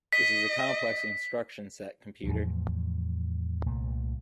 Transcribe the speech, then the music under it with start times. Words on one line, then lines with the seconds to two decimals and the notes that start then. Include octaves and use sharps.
This is a complex instruction set computer.
0.13 D#5 B6
2.24 E2 A2 F3 F#3
3.66 C2 A#2 A3